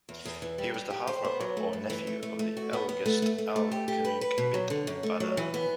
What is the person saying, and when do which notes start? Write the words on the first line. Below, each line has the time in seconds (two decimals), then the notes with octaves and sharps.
He was the half-brother or nephew of the elegist Al-Khirniq bint Badr.
0.09 E2
0.25 E2
0.42 E3
0.58 G3
0.74 G4
0.90 G4
1.07 C5
1.25 B3
1.40 F#3
1.57 A3
1.73 G2
1.90 E3
2.07 A3
2.23 A3
2.39 A3
2.57 F#4
2.73 B3
2.89 B3
3.06 A3
3.22 A3
3.38 A3
3.56 A3
3.72 G4
3.88 G4
4.05 B4
4.21 B4
4.38 B2
4.54 F#3
4.70 D3
4.87 F#2
5.03 A3
5.20 F#3
5.37 E3
5.54 B3